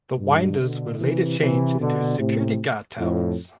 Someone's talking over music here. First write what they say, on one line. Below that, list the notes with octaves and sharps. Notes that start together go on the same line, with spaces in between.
The winders were later changed into security guard towers.
G2 B2
B2 D3
C3 E3
C3 E3
B2 D3
A2 C3
F2 A2